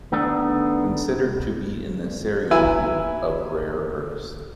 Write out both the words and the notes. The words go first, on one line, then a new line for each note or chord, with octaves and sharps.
Considered to be in the cerium group of rare earths.
D#3 A3 B3 D4
F#3 E4 B4 G#5 E6